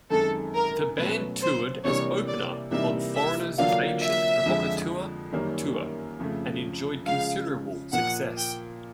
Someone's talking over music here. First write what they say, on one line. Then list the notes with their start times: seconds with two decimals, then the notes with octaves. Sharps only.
The band toured as opener on Foreigner's "Agent Provocateur" Tour, and enjoyed considerable success.
0.10 F#2 D#3 G#3 C4 A4
0.55 A#4
0.97 B2 F#3 A3 C#4 B4
1.41 C5
1.84 C3 E3 G3 A#3 D4 C#5
2.28 D5
2.71 C3 E3 G3 A#3 D#4 E5
3.15 E5
3.58 D3 F#3 A#3 D4 F4 F5
4.02 E5
4.46 F2 D3 F3 G#3
5.32 F#2 D#3 G3 A#3 C#4
6.19 F2 C#3 F3 A3
7.06 C#3 F3 G#3 F5
7.93 A#2 F3 A#3 F#5
8.36 G5